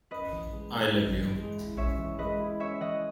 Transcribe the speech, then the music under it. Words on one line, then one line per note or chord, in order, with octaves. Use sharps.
I Love You.
C#4 B4 D#5
E3
G#3
E4
C#4
E3
G#3
E4
C#4 C#5 E5
E3
G#3 B4 D#5
E4
C#4 C#5 E5
E3 D#5 F#5